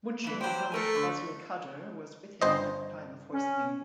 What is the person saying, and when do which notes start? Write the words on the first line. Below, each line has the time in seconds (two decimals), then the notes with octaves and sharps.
Munshi Mohammad Fazle Kader was with him at the time of hoisting.
0.24 F2 E3
0.41 F#3 G4 C5
0.72 A3 A4 A#4 G#5
0.95 D3
2.42 G1 C5 D#5
3.33 C#4